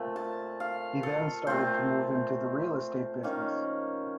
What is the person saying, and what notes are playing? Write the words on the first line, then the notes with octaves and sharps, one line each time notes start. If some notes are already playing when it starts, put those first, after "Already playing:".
He then started to move into the real estate business.
Already playing: A#2 A3 C4
A5
F5
A4
A#2 A3 C4 C5
D#3 A#3 C#4